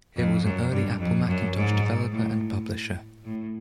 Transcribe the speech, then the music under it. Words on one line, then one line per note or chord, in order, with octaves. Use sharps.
It was an early Apple Macintosh developer and publisher.
F2
F#2
G2
F2
F#2
G#2
A2
A2